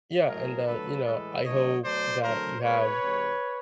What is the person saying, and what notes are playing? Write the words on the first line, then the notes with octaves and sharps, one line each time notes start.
Yeah, and, uh, you know, I hope that you have
A2 F#3 A3 G#4 A#4
D3 F#3 A3 A4 B4
A2 E3 G#3 A4 B4
D3 F#3 A3 C#5 D#5
B2 F#3 A3 C5 D5
D3 F#3 A3 A#4 C5
B2 G#3 B4 C#5
C3 E3 G#3